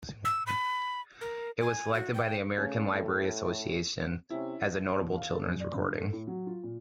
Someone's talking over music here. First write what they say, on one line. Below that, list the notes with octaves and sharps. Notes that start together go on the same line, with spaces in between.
It was selected by the American Library Association as a Notable Children's Recording.
E6
B5
A#4
G#5
F#4
G5
C#3 A3 C#4 A4
A2
C3 C#4 E4
E2
F5
A4
F#2
D5
G2
A4
A2
F#3
F4
A#2